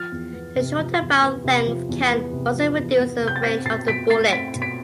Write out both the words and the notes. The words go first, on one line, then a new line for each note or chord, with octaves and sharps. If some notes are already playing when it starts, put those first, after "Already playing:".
The shorter barrel length can also reduce the range of a bullet.
Already playing: F3 F6 A6
E2
B3
C3
F3
E2
B3
C3
F3
E2
B3
C3
F3
E2
B3
C3
G6
A6
C4 G6 B6
B2 A6 C7
B2 B6 D7
A3 A6 C7
C4 B6 D7
B2
B6 D7